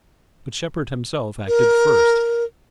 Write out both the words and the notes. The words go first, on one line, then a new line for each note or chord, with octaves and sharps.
But Shepard himself acted first.
A#4